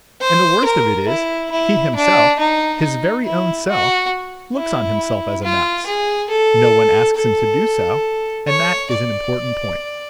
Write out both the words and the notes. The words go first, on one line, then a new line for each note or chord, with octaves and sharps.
And the worst of it is, he himself, his very own self, looks on himself as a mouse; no one asks him to do so; and that is an important point.
C5
A#4
E4
E4
D4
D#4
D#4
E4
F#4
E4
F4
G#4
A4
A4
C#5
D5